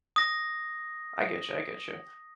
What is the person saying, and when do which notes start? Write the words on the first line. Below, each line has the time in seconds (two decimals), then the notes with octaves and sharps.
I get you, I get you.
0.16 D#6 A#6